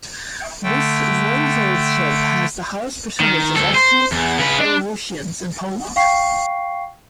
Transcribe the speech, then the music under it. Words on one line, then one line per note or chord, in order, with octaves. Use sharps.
This voivodeship has the highest percentage of ethnic Belarusians in Poland.
D3 A3 G5
D#3
D2 A4
C5
E2
C#3 B4
D4
F5 G5 C#6 C7